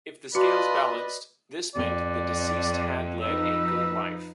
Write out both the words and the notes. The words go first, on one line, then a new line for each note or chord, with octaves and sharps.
If the scales balanced, this meant the deceased had led a good life.
D4 F4 F#4 B4 D5 D#5
F2 D5
F3 D#4 B4 E6